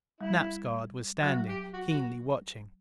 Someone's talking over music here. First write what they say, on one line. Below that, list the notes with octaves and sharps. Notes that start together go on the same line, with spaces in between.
Snap's guard was standing, keenly watching.
G3 E4
F#3 F#4
G4
F#4
F#4